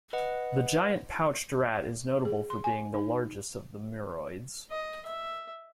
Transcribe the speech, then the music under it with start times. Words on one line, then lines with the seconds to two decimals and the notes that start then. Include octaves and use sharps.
The giant pouched rat is notable for being the largest of the muroids.
0.13 B4 D#5 F#5
2.25 G#4
2.50 C6
2.64 G#5
2.94 D#4
4.70 D#5
5.05 E5